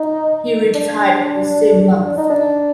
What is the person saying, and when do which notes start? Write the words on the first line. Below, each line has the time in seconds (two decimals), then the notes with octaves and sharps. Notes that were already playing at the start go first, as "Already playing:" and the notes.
He retired the same month.
Already playing: D#4
0.75 D4
2.07 D4
2.17 D#4
2.30 D4